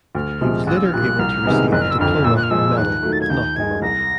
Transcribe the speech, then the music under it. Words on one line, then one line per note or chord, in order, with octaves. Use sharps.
He was later able to receive the diploma and medal but not the money.
D2 F6
C3 F3 G#3
A#1 F#6
E6
F6
A#2 G3 F#6
C2 F6
C3 D#3 G#3 B3
F#1 F#6
F6
E6
F2 D3 F6
A#2 E6
F#6
F6
F3 G#3 E6
D#2 F#6
D#3 F#3 A3
A6
G#6
D#2 G6
D#3 G#3 G#6
C2 A#6